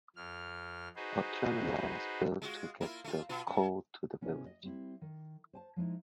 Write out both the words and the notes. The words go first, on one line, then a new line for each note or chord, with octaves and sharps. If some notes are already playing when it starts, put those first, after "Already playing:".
A tramline was built to get the coal to the village.
F2 F6
D#4 F#4 G#4 B4 C5
G#3 F4 F#4
A#3 E4 F4
A3 F4
B2 F4
F#2
C3 B3 C#4 E4
D#5
G3 C4 E4
D#3
C5 G#5 A5
F3 G#3 D#4 E4